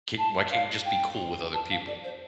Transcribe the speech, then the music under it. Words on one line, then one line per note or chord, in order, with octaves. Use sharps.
Ca why can't you just be cool with other people?
A5
F5
G5
A5
F5
D5
C5